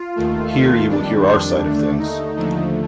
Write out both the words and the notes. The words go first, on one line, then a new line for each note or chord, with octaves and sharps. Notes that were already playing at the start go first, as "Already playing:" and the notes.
Here you will hear our side of things.
Already playing: F4
D#2 D#3 A3
F4
F2 D#3 G3 D4
D4
D#2 D3 A3
D#4
D#2 D3 F3 A3